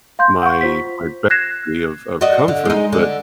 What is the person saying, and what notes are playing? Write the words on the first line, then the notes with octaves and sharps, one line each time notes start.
my my boundary of of comfort, but
F5 C6 G6
F#5 C#6
F4 C5 B6
F#6 G#6 A#6 C7 E7
F#4 D5 D#5
D3
G#3 D#4
D3